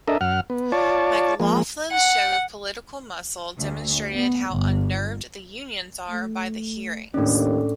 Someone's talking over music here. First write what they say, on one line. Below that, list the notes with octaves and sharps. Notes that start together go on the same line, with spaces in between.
McLaughlin's show of political muscle demonstrated how unnerved the unions are by the hearings.
D4 A4 A#4 D#5 E5
F#2 F#5 F6
B3
F4 C#5 D5 A5
F3 G#3 A#3
F#5
D2
B3
G1
A3
D#2 A2 C#4 D4 D5